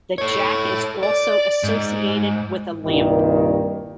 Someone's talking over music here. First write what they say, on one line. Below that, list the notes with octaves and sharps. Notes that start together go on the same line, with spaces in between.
The jack is also associated with a lamp.
A4 C#5
D5
G#2
C2 G2 A#2 D#3